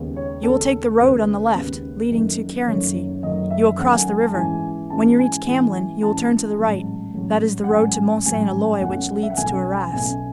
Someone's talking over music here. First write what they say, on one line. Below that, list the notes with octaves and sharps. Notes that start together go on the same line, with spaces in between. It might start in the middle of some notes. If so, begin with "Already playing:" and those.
"You will take the road on the left, leading to Carency; you will cross the river; when you reach Camblin, you will turn to the right; that is the road to Mont-Saint-Eloy which leads to Arras."
Already playing: D#2 C#3 G#3 B3
C#5
D#2 C#3 G#3 B3 A4
D#2 C#3 G#3 B3 B4
D#2 C#3 G#3 B3
F#1 F#2 D#3 F#3 A3
F#1 F#2 D#3 F#3 A3 C#5
F#1 F#2 D#3 F#3 A3 D#5
E5
F#1 F#2 D#3 F#3 A3 F#5
G#5
G#5
A5
G#2 E3 G#3 C#4 G#5
G#2 E3 G#3 C#4 A5
G#5
G#2 E3 G#3 C#4
G#2 E3 G#3 C#4 A5
A1 G#2 F#3 C#4
A1 G#2 F#3 C#4
F#5
A1 G#2 F#3 C#4 G#5
G#5
A1 G#2 F#3 C#4 G#5
B1 B2 A3 C#4 F#5
E5
F#5
B1 B2 A3 C#4 G#5
B1 B2 A3 C#4 G#5